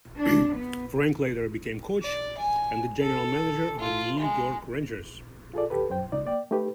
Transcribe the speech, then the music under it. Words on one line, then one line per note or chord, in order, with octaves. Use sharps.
Frank later became coach and the general manager of the New York Rangers.
D4
B3
D5
G#5
A4
F4
G#3
F4 G#4 A4 D5
D#2 G4 A4 B4
F#2 C5 G5
C#2 D#4 D5
A#3 D5 G5
A3 D#4 G4 B4